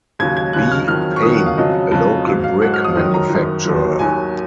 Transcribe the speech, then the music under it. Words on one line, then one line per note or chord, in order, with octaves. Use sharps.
B. Paine, a local brick manufacturer.
D#2 C#3 F#3 G#6
G#6
D#2 C#3 F#3 F#6
F6
F2 D#3 F#3 F6
C#6
F2 D#3 F#3 D#6
F#5
F5
F2 C#3 F#3 D#5
F2 C#3 F#3
G#2 F#3 F5
F5
G#2 F#3 F#5
F6
D#6
F#2 D#3 F#3
A#5
F#2 D#3 F#3
D#2 D#3 F#3
D#2 D#3 F#3 G#5